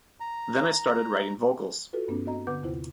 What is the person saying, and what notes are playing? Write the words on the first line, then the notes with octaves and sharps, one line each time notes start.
Then I started writing vocals.
A#5
F4 F#4 A4 B4
G2 A#3 C4 D4
B3 F#4 D#5 A#5
D3 B3 B4 F#5 D6 G6
D#2 C3 E4 F4 C5